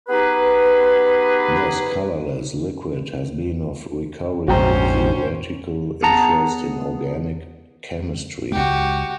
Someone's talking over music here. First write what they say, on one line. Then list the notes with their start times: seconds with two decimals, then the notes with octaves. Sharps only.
This colourless liquid has been of recurring theoretical interest in organic chemistry.
0.08 B3 D#4 G4 G#4 B4
4.48 A#1 F2 G#2 C#4 F#4 C5 G5 A#5
6.03 B3 G#4 F#5 A5 A#5
8.52 C#2 G#3 F#4 G4